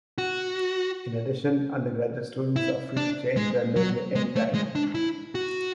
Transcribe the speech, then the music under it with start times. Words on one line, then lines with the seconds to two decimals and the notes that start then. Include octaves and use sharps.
In addition, undergraduate students are free to change their major anytime.
0.18 F#4
2.56 E4
2.97 D4
3.36 G#3
3.76 F#3
4.15 G#3
4.36 A3
4.54 G#3
4.75 D4
4.95 E4
5.35 F#4